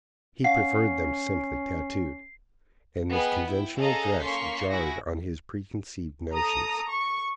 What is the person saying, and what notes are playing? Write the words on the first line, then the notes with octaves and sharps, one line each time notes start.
He preferred them simply tattooed, and this conventional dress jarred on his preconceived notions.
C#4 F5 F#5 C7
B3 G#4 B4 D#5 G5
E4 G5
C#4 G#4 A4 D#5 F5 A#5
A#3 C#4 C6 C#6 B6
E4 F#4 G#4 A#6
A4 A#5 D#6
C#6